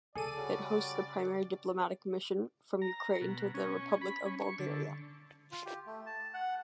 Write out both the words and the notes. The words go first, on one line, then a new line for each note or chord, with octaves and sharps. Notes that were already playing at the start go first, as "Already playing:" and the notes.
It is hosts the primary diplomatic mission from Ukraine to the Republic of Bulgaria.
C#3 G#4 A4 D5 D#7
G3 C#4 F#4
A#5
B2
C#4
B5
C#4
C#6
D3
F4
G4
A3
A5
F#5